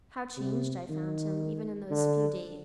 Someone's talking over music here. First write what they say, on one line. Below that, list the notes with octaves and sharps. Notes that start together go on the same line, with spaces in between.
How changed I found him, even in those few days!
C3
D#3
D3